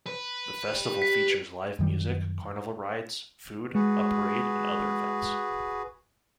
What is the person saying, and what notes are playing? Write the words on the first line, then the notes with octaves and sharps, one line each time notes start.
The festival features live music, carnival rides, food, a parade, and other events.
B4
G3
B6
F#2 D#3 G3
G#3 F#4 G#4 B4